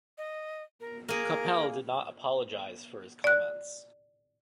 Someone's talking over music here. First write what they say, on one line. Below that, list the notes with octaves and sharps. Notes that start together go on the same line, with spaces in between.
Coppell did not apologise for his comments.
D#5
A#4
A#3 G#4 A#4
D5 F#6